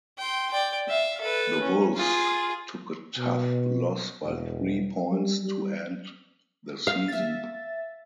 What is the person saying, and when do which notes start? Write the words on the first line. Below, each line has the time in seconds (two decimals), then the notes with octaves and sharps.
The Wolves took a tough loss by three points to end the season.
0.18 G5 C6
0.51 D5 G5
0.89 E5 F5
1.20 A4 B4
1.60 C#4
1.95 F4 G#4
3.18 B2
4.23 E1
5.11 G3
5.43 G3
6.87 F5
7.08 E5 A6